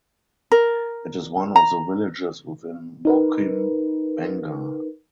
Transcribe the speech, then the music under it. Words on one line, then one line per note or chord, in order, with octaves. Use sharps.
It is one of the villages within Mukim Bangar.
A#4
A#5
D#4 A#4 B4